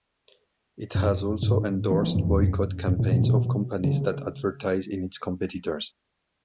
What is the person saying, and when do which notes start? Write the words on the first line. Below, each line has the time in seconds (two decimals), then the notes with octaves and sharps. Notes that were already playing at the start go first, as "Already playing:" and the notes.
It has also endorsed boycott campaigns of companies that advertise in its competitors.
0.95 F#2
1.43 G#2
1.91 E3
2.03 E3
2.15 F#2
2.27 E2
2.39 F#2
2.88 F#2
2.99 A2
3.12 B2
3.24 B2
3.84 C#3